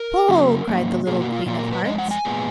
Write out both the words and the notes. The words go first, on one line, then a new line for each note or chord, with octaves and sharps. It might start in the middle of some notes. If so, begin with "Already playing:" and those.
"Pull!" cried the little Queen of Hearts.
Already playing: A#4
C#3 F#3 A#3
G#2 F#3 A#3
B2 A#3 G#4
F#4
F4
A#2 F#3 A#3 F4
A#4
B4
F2 D#3 G#3 D#5
F#5
G#5
A#2 G#3 B3